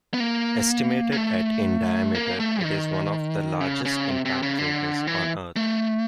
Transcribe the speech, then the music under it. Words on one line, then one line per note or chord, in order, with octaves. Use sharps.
Estimated at in diameter, it is one of the largest impact craters on Earth.
B3
A#3
A#3
A3
A#3
A3
D#3
C#3
C#3
C3
C3
C#3
D3
E3
A3